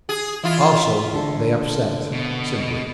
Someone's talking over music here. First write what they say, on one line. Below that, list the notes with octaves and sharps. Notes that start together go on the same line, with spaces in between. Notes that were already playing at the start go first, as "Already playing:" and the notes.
Also they upset--simply.
G#4
E3 E4 F4
D3 D4 A4
B2